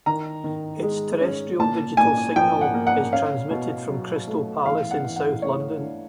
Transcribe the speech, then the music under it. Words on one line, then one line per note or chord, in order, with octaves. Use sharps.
Its terrestrial digital signal is transmitted from Crystal Palace in South London.
D#3 A#5
D#3
G#3
C#4
A#2 A5
A#2 G#5
F3 G5
F#5
A#3
F#5
C#4 F5
B2
F#3
A3
E3 F5
F#5
E3
F#5
A3 C#5
D4